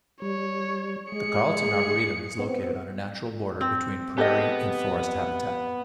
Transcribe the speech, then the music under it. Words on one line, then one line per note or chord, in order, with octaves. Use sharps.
The Carleton Arboretum is located on a natural border between prairie and forest habitat.
G3 C#5
G#3 G#4 C#7
B3 C4
C4
B3 G4 A4 D#5